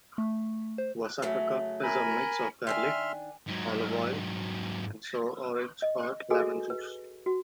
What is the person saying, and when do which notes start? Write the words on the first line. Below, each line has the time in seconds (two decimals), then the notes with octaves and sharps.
Wasakaka is a mix of garlic, olive oil, and sour orange or lemon juice.
0.18 A3
0.78 C5
1.22 C#3 F#3 A3
1.83 A#4 G#5 B5
2.67 D#3 D4 E5 G#5 C6 F6
3.47 G#2 F#3
5.82 D#5
6.30 F#4 G#4 A4 B4 D#5 G#5
6.70 B4
7.26 F#4